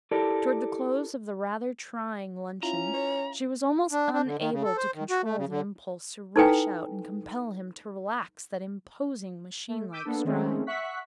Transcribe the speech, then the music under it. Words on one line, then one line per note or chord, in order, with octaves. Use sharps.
Toward the close of the rather trying luncheon she was almost unable to control the impulse to rush out and compel him to relax that imposing, machine-like stride.
E4 G4 A4 A#4 D5
C#4 E4 F4 A#5
C#5
D4
D4
D3
D#3
C#3
A4
C5
D#3
F#4
A3
C#3
D3
D#4 E4 A4 B4 G5 G#5
A3
D6 E6 G6 B6 D7 D#7
A#3 B3 D4 A4
D#3 G#3 A3 C4 C#4
E5 F#5 C#6 F#6 B6